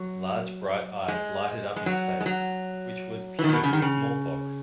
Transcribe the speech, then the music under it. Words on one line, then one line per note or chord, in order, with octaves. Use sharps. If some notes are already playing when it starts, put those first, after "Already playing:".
Large bright eyes lighted up his face, which was pitted with smallpox.
Already playing: F#3
G#3
G#3
F#3
G#3
F#3
E3
A#2 D#3
B2
C#3
D#3
C#3